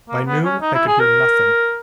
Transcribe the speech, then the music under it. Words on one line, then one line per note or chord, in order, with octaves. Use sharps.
By noon I could hear nothing.
A#3
B3
C#4
D#4
E4
G#4
A#4